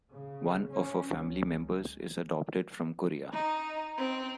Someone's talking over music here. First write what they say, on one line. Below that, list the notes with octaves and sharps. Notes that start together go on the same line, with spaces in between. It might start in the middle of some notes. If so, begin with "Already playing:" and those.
One of her family members is adopted from Korea.
C#3
C#4
C#2
D#4
C4